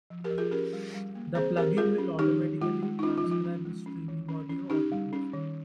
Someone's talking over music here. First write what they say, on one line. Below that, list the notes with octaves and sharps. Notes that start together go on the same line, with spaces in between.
The plug-in will automatically transcribe the streaming audio or video feed.
F3
G4 A#4
F3
F4 G#4
C#4 G4 A#4
G3
G3
A#3
C4 G#4 C5
C4 G4 A#4
G3 F4 G#4
C#4
D#3 D#4 G4
D#3
G#3 F4
G#3
D#4
C#4 F4
F4
F3
F4
C#4
G#3
C#4
D#3
C#4
C#4
C#4 D#4 G4
G3
C#4
D#3